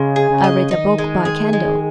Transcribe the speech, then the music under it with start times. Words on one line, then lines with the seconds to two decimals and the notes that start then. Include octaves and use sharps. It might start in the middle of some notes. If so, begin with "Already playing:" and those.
I read a book by candle.
Already playing: C#3 G#3
0.16 G#4
0.30 C#3
0.44 D#5
0.71 D#3 D#4
0.98 G#3
1.25 G#4
1.53 G#3